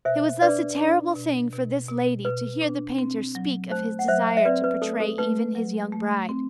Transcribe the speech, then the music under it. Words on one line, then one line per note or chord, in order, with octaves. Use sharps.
It was thus a terrible thing for this lady to hear the painter speak of his desire to portray even his young bride.
B2 C5 E5
D4 B4 D5
D4
B2
B2
B2
B2 B4
D4
C4
F#3
A3 C5
F#5
F#3 C5 E5
E5
C4 B4 D5
B4
A3 A4
A4
A3 B4
F#3
A3
C4